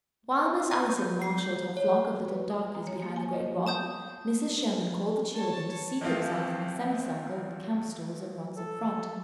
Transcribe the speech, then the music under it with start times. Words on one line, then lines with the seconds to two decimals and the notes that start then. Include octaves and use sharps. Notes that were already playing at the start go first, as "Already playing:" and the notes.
While Miss Allison marshalled her flock of little darkies behind the great rock, Mrs. Sherman called the children to seat themselves in a semicircle on the camp-stools and rugs in front.
0.71 A#5
0.92 G6
1.22 C7
1.38 G6
1.77 C#5
2.28 B4
2.50 D#6
2.75 A#5
2.87 C#5
3.02 A#3
3.16 G#5
3.33 D#5
3.67 A5 D#6 G6
5.34 C#5 A5
6.01 A#1 E3 F3 C4 F4
8.57 A4